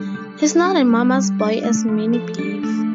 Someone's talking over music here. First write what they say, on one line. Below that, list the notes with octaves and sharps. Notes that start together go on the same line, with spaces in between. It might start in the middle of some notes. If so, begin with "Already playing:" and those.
He's not a "mama's boy" as many believe.
Already playing: G3 D4 A4
G3
A4
D4
G3
G3
D4
A3
F3
A4
D4
A3